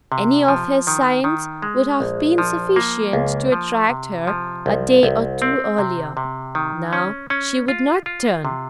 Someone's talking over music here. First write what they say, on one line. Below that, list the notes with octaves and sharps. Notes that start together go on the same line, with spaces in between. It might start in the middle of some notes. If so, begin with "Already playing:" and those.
Any of his signs would have been sufficient to attract her a day or two earlier; now she would not turn.
C3
F3
D#3
D#3
G#3
A#1
F3
A#3
C#2
F3
C3
F3
C2
C2
C4
C3
C3
D#3
C#4
C#4
F4
F4
C3